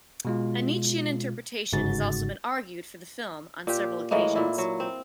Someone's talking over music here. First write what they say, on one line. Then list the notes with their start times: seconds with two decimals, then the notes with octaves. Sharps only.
A Nietzschean interpretation has also been argued for the film on several occasions.
0.25 B2 G#3 F4
1.73 G1 G#2 C#3 F#4 A6
3.67 A#2 G4
4.11 A2 E3 G#3 A#3
4.36 A#2 E4
4.58 F#3
4.80 C4